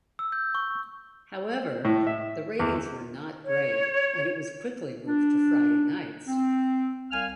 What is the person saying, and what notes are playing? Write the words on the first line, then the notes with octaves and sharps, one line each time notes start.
However, the ratings were not great, and it was quickly moved to Friday nights.
E6
G6
C#6
A2
E5
E2
C#5
D4
C4
C2 F5 G#5 F6